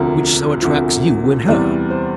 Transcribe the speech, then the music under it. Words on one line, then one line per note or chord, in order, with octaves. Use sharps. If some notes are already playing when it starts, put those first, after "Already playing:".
Which so attracts you in her.
Already playing: E1 D2 C3 F3 A#4
E1 D2 C3 F3
E2 C3 E3 G3 D5
C5